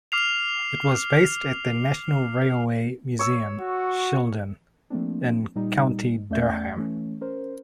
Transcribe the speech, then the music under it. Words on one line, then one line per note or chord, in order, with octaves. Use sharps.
It was based at National Railway Museum Shildon in County Durham.
D6 F6 C7 F7
C#5 E6
F#4
F3 A3 A#3 C4 D4
A#2 G3 D#4
E2 A3 C#4 D5 E5 G6
E3 A3 C#4
C#4 A#4 C5